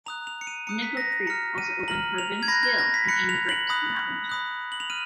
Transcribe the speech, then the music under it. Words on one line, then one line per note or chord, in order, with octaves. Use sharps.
Nickel Creek also opened for Vince Gill and Amy Grant in that winter.
A#5 D#6 F#6 F7
F7
C#7
D#7
A#5 D#6 F#6 C#7
B6
A#6
A#6
A#5 F6 C#7
D#7
A#5 F6 F#7
F7
G#6
B5 F#6 A#6
G#6
A#6
B6
B5 F#6 C#7
F7
F#7
B5 D#6 F#6
B5 D#6 F#6
F#7
F7
F6 D#7